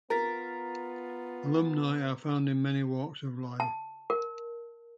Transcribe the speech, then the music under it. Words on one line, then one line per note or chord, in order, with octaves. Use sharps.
Alumni are found in many walks of life.
B3 F4 A#4 A#5 A6 B6
A5
A#4